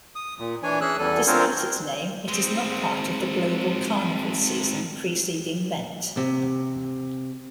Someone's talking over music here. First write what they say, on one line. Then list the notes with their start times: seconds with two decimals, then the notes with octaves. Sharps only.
Despite its name, it is not part of the global Carnival season preceding Lent.
0.15 D#6
0.39 A#2
0.63 E3 D4 C#5 G#5
0.81 E3 C#4 G#4 E6 F#6
0.98 E2 G3 A4 G#5
1.27 C4 D4 F4 A#4 C5 C#5
2.28 G#3 C4
6.17 C3